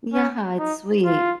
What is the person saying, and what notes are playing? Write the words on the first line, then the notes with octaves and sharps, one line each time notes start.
Yeah, it's sweet.
C#4
D#4
F4